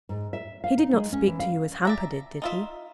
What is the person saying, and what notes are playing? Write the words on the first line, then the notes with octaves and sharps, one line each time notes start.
He did not speak to you as Hamper did, did he?'
G#2
E5
F5
D#4
G#3
C#4
E3
F5
D5 E5 A#5
D#4 F4 E5